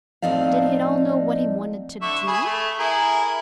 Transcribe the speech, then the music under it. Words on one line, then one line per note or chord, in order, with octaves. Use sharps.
Did he at all know what he wanted to do?
A2 F3 C4 D#4 D5 F5
D3 E5 C#6
G#4 B5 D#6
A3
E4 G#4 A#4